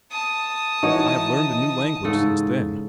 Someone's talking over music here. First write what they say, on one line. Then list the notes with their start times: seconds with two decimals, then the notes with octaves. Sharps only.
I have learned a new language since then.
0.11 A5 D#6
0.83 E3 D#4 F#4 C#5
2.04 G#2 C#3 A4